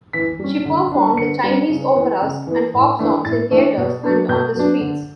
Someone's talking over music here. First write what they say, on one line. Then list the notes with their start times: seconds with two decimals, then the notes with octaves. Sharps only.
She performed Chinese operas and pop songs in theatres and on the streets.
0.13 E3 B6
0.40 G3 C#4
0.66 D3
0.92 G3 D4
1.17 D3 C#7
1.44 G3 D4
1.69 C#3
1.95 E3 B3
2.22 C#3
2.47 E3 B3
2.74 A2
2.99 E3 A3 D4
3.25 A2 A6
3.51 E3 A3 D4
3.78 B2
4.03 F#3 B3 D4
4.29 B2 G6
4.55 F#3 B3 D4
4.81 D3